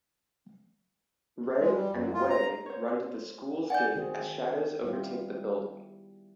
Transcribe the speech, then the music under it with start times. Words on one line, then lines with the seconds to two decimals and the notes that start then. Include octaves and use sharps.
Ray and Wei run to the school’s gate as shadows overtake the building.
1.60 G#3
1.71 G3
1.93 F#2
2.14 F4
2.29 A#5
2.66 C5 C#5
3.70 D5 F#5 G#5 G6
3.95 D#3 C4 F#4 G#4
4.84 G3 B3 E4 F4 G4